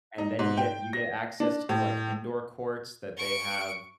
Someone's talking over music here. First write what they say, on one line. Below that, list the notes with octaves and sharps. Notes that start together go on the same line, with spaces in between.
and then you get you get access to, like, indoor courts that they have,
D#4
G#2
G5
A#6
D4
A2
C#6 D7